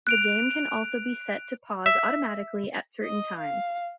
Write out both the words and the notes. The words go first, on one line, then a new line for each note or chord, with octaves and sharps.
The game can also be set to pause automatically at certain times.
F#6 D7 F7
E5
D#5
F5